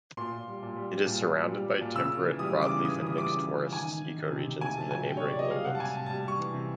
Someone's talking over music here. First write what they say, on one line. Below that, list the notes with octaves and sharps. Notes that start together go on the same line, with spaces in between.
It is surrounded by temperate broadleaf and mixed forests ecoregions in the neighboring lowlands.
A#2 C6
A#2
G3
A#2
G3
G3
A#2
A#2
A#2
G3
G3
A#2
C#3 E6
C#3
E3
G3 D#6
C#3
D6
C#3
E3 D#6
C#3
D#6
G3 D6
C#3
E3
C#3
D#3 G#5
D#3
D#3
D#3
C3
C3
C3 G#5
F#3 A5
F#3 G#5
C3 G5
C3 C#5
D5
F#3 D#5
G3 F5
C3 F#5
A5
C3 G#5
C3 A5
G3 A5
G3 C#6
E3
C3